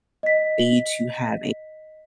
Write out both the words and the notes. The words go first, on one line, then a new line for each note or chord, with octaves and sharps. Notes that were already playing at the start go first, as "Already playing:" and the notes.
stage to have a
D#5 B6